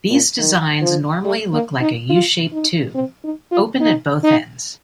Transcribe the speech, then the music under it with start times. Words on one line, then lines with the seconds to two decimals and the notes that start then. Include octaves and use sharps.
These designs normally look like a U-shaped tube, open at both ends.
0.10 A#2
0.39 D#3
0.82 F3
1.25 G3
1.53 A#3
1.81 D#4
2.10 F4
2.53 D#4
2.95 C4
3.24 D#4
3.52 F4
3.81 D#4
4.24 D#4